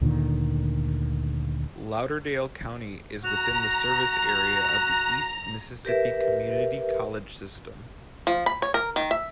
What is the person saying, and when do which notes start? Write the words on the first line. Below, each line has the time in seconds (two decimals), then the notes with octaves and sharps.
Lauderdale County is within the service area of the East Mississippi Community College system.
0.01 D2 A#2 D3 D#3
3.24 F#4 A#5 F7
5.85 G4 A#4 B4 E5
8.27 F3
8.46 B5
8.62 C#5
8.74 A#4
8.96 D#3
9.11 E5